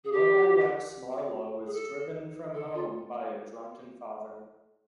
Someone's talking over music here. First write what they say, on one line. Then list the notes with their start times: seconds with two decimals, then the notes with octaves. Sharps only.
Little Rex Marlowe is driven from home by a drunken father.
0.04 G#4
0.12 G4
1.66 G#4
1.73 A4
2.54 A4
2.74 F4